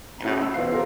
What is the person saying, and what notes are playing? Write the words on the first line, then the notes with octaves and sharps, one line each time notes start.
You know?
C#4 E4 F#4 G#4
E6
B2 E3 C5 F5 C7
F4 G4 A#4